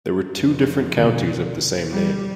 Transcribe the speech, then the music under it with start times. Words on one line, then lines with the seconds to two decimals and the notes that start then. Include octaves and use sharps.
There were two different Counties of the same name.
0.38 F1
0.99 B2 D3
1.90 G3